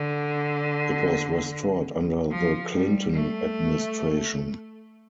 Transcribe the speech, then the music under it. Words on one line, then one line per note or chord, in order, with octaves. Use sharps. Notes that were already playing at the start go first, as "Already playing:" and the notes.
It was restored under the Clinton administration.
Already playing: D3
F3
G3
A3